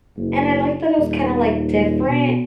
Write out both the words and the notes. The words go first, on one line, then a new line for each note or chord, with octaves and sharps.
and I like that it was kinda, like, different,
F#1
D#1
B2